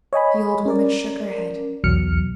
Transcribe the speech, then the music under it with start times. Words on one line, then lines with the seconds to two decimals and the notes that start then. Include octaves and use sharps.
The old woman shook her head.
0.13 C#5 D#5 G#5 B5
0.66 C#4 A#4 D5
1.84 B1 E2 F#3 F6 C#7